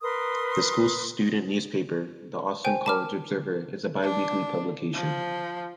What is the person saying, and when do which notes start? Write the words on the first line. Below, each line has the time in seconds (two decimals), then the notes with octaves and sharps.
The school's student newspaper, the Austin College "Observer", is a bi-weekly publication.
0.02 A#4 B4 C6 D#6
2.64 C5 G5 G#5
2.86 A5 D6 F6
4.02 D4
4.94 F3